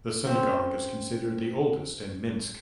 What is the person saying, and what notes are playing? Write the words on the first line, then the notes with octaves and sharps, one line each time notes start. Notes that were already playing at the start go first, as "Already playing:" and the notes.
The synagogue is considered the oldest in Minsk.
C4 C#4